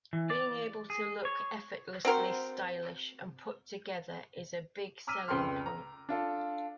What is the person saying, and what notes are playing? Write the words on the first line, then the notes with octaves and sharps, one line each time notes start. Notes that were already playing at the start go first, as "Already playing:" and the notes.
Being able to look effortlessly stylish and put together is a big selling point.
E3
D5
G#4
C#5
C4 F#4 A#4 C5
A#5 D6 E6 F6 B6 D#7
F1 C#2 B4 G5 C6 F6
A#5
D4 F4 A4